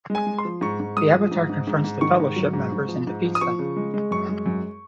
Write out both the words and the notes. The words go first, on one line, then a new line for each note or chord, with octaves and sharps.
The Avatar confronts the Fellowship members and defeats them.
G#3
G#5
G#3
C6
F3
G#2 C#6
G#2
G#3 D#6
F3
G#2
G#2
G#2
G#2
D#3 C#6
G#2
F#3
G#2
G#2
F3
G#2
F3
D#6
F3 C#6
C#3
G#3
G#3
F#2 C#6
G#3
F#2